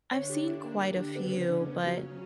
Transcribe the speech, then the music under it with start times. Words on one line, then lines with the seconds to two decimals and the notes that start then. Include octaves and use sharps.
I've seen quite a few, but,
0.12 D3 D4 C#5
0.29 G4
0.47 E4
0.64 A#3
0.82 G4
0.98 G4
1.15 C#3 B3 C#4
1.33 B3
1.49 D4
1.66 C#3 B3 C#4
1.84 F#3
2.01 F#3